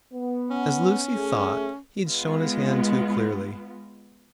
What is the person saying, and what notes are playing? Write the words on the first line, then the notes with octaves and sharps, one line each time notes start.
As Lucy thought, he had shown his hand too clearly.
B3
C#4
A3 G#4
G#3 B3 F4